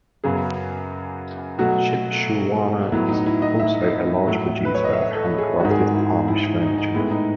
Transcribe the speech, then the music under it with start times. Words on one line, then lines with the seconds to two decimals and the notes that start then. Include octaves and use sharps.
Shipshewana is also a large producer of handcrafted Amish furniture.
0.24 F#2 C#3 F#3 B3 G#4
1.58 B2 F#3 A3 F#4
2.92 A2 F#3 B3 E4
3.09 D#4
3.26 E4
3.42 D#5
3.59 E5
4.27 A2 F#3 A3
4.65 B4
4.75 C#5
4.84 D#5
4.93 E5
5.15 A4
5.38 G#4
5.60 G#2 D#3 G#3 F#4
5.70 G#4
5.78 F#4
5.94 E4
6.28 E4
6.44 E4
6.61 D#4
6.78 D#4
6.94 A2 G#3 B3 E4
7.11 D#4